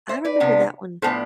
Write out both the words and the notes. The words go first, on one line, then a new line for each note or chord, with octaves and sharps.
I remember that one.
C5 E5
B4 D5
C3 F3 B3 D4
A2 F3 B3 D4 A4 C5